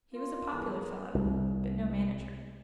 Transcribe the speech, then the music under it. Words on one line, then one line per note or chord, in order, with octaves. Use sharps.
He was a popular fellow, but no manager.
F4 A#4
G2 E3 B3 G#4 A4 A#5
C2